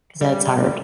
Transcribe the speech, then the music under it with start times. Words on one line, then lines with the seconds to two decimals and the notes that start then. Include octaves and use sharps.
‘cause that's hard.
0.21 G3